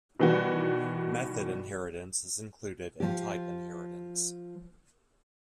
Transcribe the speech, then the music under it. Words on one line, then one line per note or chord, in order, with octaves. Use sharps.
Method inheritance is included in type inheritance.
B2 D#3 E3 G3 F#4
F3 G4